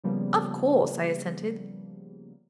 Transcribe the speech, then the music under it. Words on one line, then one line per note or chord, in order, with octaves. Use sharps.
'Of course,' I assented.
C#3 F3 G3 A#3 B3